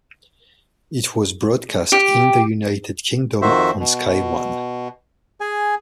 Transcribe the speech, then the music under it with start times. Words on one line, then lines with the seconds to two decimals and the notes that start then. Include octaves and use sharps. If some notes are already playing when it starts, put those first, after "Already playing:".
It was broadcast in the United Kingdom on Sky One.
1.92 G4
3.42 F2 D#3 F#4 C5 E5
3.80 B2
5.41 G#4 G#5